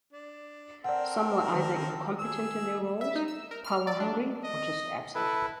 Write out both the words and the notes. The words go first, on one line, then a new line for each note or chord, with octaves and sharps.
Some were either incompetent in their roles, power-hungry or just absent.
D4
C4 A4 A#4 D5 F#5
D#3
G#4 E6
E5
D#4
E6
A#4
F6
D5
D4
D#5
E4 A4 B4